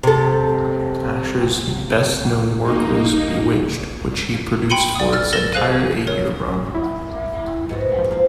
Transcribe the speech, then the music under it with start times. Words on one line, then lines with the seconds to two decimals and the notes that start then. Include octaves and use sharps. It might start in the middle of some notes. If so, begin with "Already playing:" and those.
Asher's best known work was "Bewitched", which he produced for its entire eight-year run.
0.03 C3 A4
2.63 A#3 D#4
4.70 G5 B5 C6 C#7 D#7 G7
4.95 D5 D#6
5.13 E6 F6 A6
5.33 A4 A#4 A6 A#6 E7
5.54 G#4 C5 F5 F#6 D#7
6.07 A#4 C#5
6.48 F#2
6.75 E4
7.69 G#2 B3 F#4
7.99 F3
8.11 A#3 C4